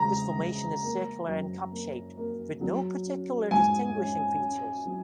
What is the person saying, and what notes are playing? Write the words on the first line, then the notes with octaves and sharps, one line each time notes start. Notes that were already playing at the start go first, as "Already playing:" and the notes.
This formation is circular and cup-shaped, with no particular distinguishing features.
Already playing: C#3 G#3 A#5
G#3
A#3
F#2
A#3
A#3
F#3
C#4
G#2 G#5
C#4
C#4
F#3